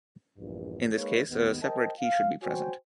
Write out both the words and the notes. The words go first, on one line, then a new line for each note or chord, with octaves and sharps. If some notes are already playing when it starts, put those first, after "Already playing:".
In this case, a separate key should be present.
A#1 E2 G2
G#3 A#3 D#4 B4 C#5
D#2 G#2 D#3 B3
A#4 C5 D#5 G5 A5
F5
F#4 C5 C#5 G5 G#5